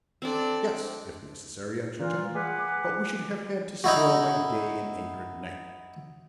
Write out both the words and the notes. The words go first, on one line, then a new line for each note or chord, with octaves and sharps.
"Yes, if necessary," answered John; "but we should have had to sail by day and anchor at night."
C4 D4 A4 D5
A#2 E3 F4
G#4 B4 F#5 D6
D#4 E4 F#4